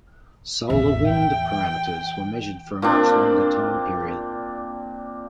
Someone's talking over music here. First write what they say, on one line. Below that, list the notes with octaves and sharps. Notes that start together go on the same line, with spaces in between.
Solar wind parameters were measured for a much longer time period.
A1 E2 E5
E3 G5
A#2 C4 D4